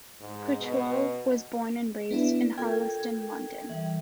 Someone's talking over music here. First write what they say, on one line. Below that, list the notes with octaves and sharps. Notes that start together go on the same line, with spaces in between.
Crichlow was born and raised in Harlesden, London.
G#2
B2
B3 D4 E4
F4 A4 A#4 G5 G#6
E3 G3